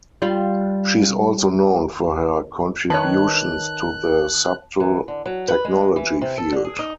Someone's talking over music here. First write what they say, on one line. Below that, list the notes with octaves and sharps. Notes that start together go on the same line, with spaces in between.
She is also known for her contributions to the subtle technology field.
G3 F4
D#3 B4 C#5 A5 F#6
E3
D3
F#3
B4
G#3
E3
C3
A4
D3
G#4
D#4